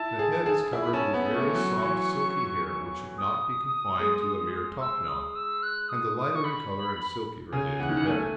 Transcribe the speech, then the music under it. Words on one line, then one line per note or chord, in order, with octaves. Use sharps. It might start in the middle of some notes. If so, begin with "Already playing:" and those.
The head is covered with very soft silky hair, which should not be confined to a mere topknot, and the lighter in colour and silkier it is the better.
Already playing: E4 A5
G#4
G#4
E4
B5
C#4 A5
B3 B5
A3 C#6
E3
F#3
F#3
E3
D#6
G#3
E6
D#6
E6
F#6
D#6
D#6
C#6
B5
C#3 G#5
E3 F#5
D#3
E3
A3 G#5